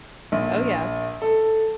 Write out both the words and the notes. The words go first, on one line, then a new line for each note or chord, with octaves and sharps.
Oh, yeah.
A#1
A4